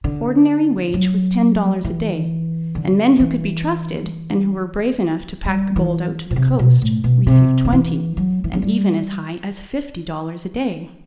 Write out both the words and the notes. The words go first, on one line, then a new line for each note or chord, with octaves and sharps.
The ordinary wage was ten dollars a day, and men who could be trusted, and who were brave enough to pack the gold out to the coast, received twenty and even as high as fifty dollars a day.
D3
F#3
E3
D3
E3
G3
E3
B2
C3
B2
A2
B2
C3
D3
E3
F#3
E3
F#3
G3